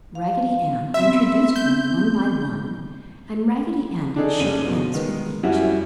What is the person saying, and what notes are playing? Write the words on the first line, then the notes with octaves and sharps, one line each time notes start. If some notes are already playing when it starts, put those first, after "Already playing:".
Raggedy Ann introduced them one by one and Raggedy Andy shook hands with each.
F5
B3 C4 E5
G6
D4 D#4 G#4 A4
F#1 C#4 D#7
B2
D#3 G#3 B3
F#2 G3 C#4 E4 F#4